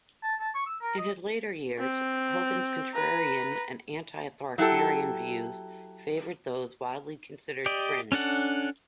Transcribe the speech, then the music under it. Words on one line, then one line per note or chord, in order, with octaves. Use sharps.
In his later years, Hogan's contrarian and anti-authoritarian views favored those widely considered "fringe".
A5
A5
C#6
E6
A#4
D#5
C4
B4 A#5
F#3 E4 G4 A4
G4 D5 D#5
C#4 D4 A4 F#5